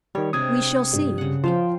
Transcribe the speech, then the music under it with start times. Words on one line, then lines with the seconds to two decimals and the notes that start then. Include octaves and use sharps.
"We shall see."
0.15 D#3 G3 C#5
0.33 C3 G#3 D4 D#6 G#6
0.93 G2
1.18 C#3 F#5
1.44 F3 F4 C5 F5 G5